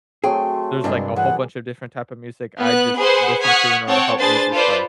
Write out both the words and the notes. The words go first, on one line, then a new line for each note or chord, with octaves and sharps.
There's, like, a whole bunch of different type of music I just listen to in order to help me just, like
F#3 A3 C4 G#4 C5 G5
G2 C3 G#3 D4 A#4 D5 D#5
E3 G#4 F#5
B3 F#6
G#4 B4 C5 F#5
F#5 C#6 D#6 F6 G#6 B6
C4 C#5 F#5 G5 A5
D4 G#4 B4 C5 A6
F4 A4 B4 C5 D5